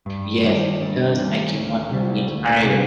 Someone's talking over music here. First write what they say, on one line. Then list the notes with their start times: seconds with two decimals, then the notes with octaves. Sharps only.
yes, it does make you wanna be inspired.
0.06 G2
0.43 D#3 G3
0.80 G2
1.16 D#3 G3
1.53 D2
1.91 C3 G3
2.27 D2
2.64 C3 G3